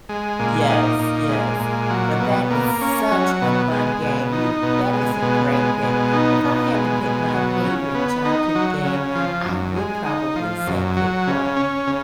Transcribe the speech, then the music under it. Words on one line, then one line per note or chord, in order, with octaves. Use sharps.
Yes, yes. But that was such a fun game. You that is a great pick. If I had to pick my favorite childhood game, I would probably say kickball.
G#3
A#2
D#4
A#2
G#3
A#2
F#3
B2
A#3
C#4
F#3
B2
G#3
B2
D#4
B2
G#3
B2
G#3
B2
D#4
B2
G#3
B2
F#3
C#3
B3
D#4
F#3
C#3
F3
F#2
G#3
D#4
F3
F#2
F#3
C#3
C#4
C#3